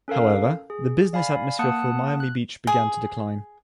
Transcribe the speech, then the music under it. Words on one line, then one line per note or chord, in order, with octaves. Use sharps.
However, the business atmosphere for Miami Beach began to decline.
C#4 A4 A#4 F5
G#4
D5 F5 G#5 B5
A#3 F#5 A5 D#6 F#6 C#7
F#6
G#4